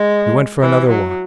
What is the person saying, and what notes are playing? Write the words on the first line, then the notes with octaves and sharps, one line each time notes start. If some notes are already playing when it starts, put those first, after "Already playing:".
We went for another walk.
Already playing: G#3
E3
F#3